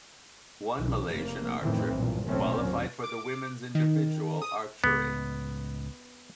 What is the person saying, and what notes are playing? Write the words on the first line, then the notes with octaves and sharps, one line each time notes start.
One Malaysian archer qualified for the women's individual archery.
B1 E3
F1 A#3
F#1 F2 A2 D#3 E3 C4
B1 G2 A#2
F#1 B1 A2 A3 C4 C#4
D#2 F#3
D6
D#3
D#6
C#2 A2 B3